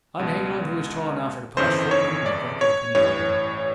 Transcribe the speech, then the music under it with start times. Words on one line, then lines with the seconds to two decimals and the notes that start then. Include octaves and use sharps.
I'm hanging on to his taw now for the past fortnight and I can't get a penny out of him.
0.19 C#2 B2
1.57 G1 F2 C#3 E3 C5
1.91 C#5
2.26 D5
2.61 C#5
2.95 A1 G2 E3 C#5